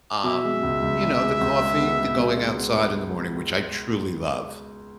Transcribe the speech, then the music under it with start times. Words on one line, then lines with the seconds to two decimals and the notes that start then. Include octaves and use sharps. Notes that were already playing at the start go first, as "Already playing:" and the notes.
um, you know, the coffee, the going outside in the morning, which I truly love.
0.24 B2 E5
0.44 G#3
0.63 C#2
0.82 C#2
1.03 G#3
1.22 G#3
1.41 C#2
1.61 G#3
1.80 B3
1.99 G#3
2.19 B2
2.38 B2
2.57 B3